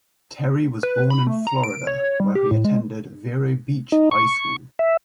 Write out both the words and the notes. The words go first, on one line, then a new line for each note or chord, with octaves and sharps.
Terry was born in Florida, where he attended Vero Beach High School.
B4
B5
A3
A#5
D7
C#5
G3
G4
A2
G#3
D#4
C#6
E5